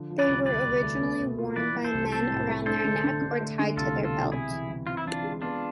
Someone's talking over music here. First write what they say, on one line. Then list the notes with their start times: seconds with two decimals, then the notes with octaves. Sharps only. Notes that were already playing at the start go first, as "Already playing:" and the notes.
They were originally worn by men around their neck or tied to their belt.
Already playing: D3 F3
0.10 F3
0.19 B4 D5
0.28 C2
0.46 D2 B4 D5
0.65 D2
0.82 A3
1.01 B3
1.20 B2
1.38 F4
1.56 E3 B4 D5
1.75 E3
1.84 A4 C5
1.93 C2
2.12 C4 A4 C5
2.29 A2
2.49 A3
2.66 D4 A4 C5
2.84 D3
3.04 D3
3.22 D3
3.41 A3
3.59 D3
3.76 C2 F4 A4
3.95 B2
4.04 F4 A4
4.14 B2
4.32 C3 E4 G#4
4.51 E3
4.69 E3
4.87 C4 F4
4.97 E4
5.06 E3 D4 F4
5.24 G#3
5.42 B3 D4 F4